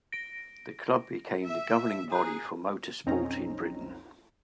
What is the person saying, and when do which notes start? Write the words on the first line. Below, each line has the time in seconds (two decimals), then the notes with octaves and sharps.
The Club became the governing body for motor sport in Britain.
0.12 A#6 D7
1.44 E5
2.12 G#4 A#5 F#6
3.06 B1 F2 C4 C#4 D#4 A#5